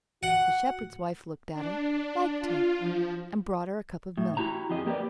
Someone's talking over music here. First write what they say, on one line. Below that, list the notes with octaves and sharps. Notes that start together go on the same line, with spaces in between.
The shepherd's wife looked at her, liked her, and brought her a cup of milk.
F#4 F#5
D4
F4
F3
A2
E4 F#4 G4 A#5
F2 G4 G#4 D#5
A#3 G4 A4 B4 D5